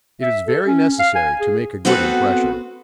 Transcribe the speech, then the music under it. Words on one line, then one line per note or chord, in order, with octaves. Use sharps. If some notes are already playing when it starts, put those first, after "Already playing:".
It is very necessary to make a good impression.
E5
A4
C#4
F5
G#5
G#4
B3 C4 F#4 A4 B4